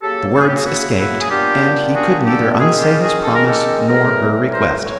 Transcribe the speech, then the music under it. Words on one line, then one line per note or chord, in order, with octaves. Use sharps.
The words escaped, and he could neither unsay his promise nor her request.
C#3 F#3 A#3 G4 A4
A4
G#4
G4
F#4 G#4
E4 F#4
E4 F#4
G#4
A#2 G3 B3 D4 F4 G4
F#4 G#4
G4 A4
D#3 G#3 C#4 F#4 G#4
F4 G4
F#4 G#4
A4
A#4
G4 A4
A2 E3 G3 G#4 A#4
A#4 C5
C#5